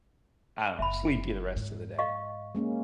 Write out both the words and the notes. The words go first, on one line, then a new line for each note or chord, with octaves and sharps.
I don't sleepy the rest of the day.
F#1 E5 B5
G#2
D#5 F5 C#6
G#3 A#3 C#4